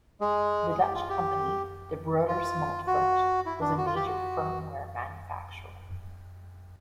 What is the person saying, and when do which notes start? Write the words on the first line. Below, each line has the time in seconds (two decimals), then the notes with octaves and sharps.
The Dutch company De Broeders Montfort was a major firmware manufacturer.
0.20 G#3 G#4
0.71 G#4
0.80 G4
0.95 F4
1.09 G4
2.28 F4
2.87 F#4
3.46 E4
3.61 D4
3.78 F#4
3.86 F4
3.96 G4
4.05 F#4